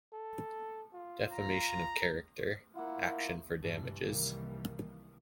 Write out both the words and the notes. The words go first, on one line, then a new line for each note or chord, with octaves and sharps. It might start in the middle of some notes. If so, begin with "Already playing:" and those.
Defamation of character: action for damages.
A4
F4
A#5
A#3 E4 F4 F#5
B1 G2 E3 G3
C2 D#3 E3 G3 A#3